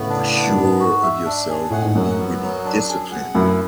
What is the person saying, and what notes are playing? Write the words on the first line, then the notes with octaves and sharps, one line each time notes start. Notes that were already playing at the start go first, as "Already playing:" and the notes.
uh, sure of yourself and be really disciplined,
Already playing: A2 C#3 B3
D4
B3
F#2
G#2 B3
F#4
E5
D4
G#4
A2 F#5
G#2
F#2 F#3
B3
F#3
D4
G#4
F#5
F#2 E4